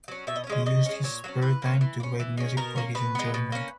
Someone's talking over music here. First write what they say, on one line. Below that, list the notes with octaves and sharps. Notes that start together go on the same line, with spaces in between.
He used his spare time to write music for his enjoyment.
F#3 C#4
B2 E5
D#5
C#5
G#3 C#4 D#5
C#3 D#5
G#3 C#4
A#2 C#5
F#3 A#3 C#4
E3 B4
A#3 C#4
E3
A#3
C#4
E3
G#3 C#4
B2 A#4
A#3 C#4
B2 B4
G#3 B3
B2
A#3 C#4